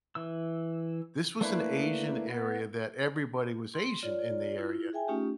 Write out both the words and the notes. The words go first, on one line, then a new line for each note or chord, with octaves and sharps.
this was an Asian area that everybody was Asian in the area,
E3 E6
A3 A#3 D4 E4 B4
B3
C6
F4 C#5 D5
E4 F4
G#4 E5 G5 G#5
A3 C#4 D#4 F4 G4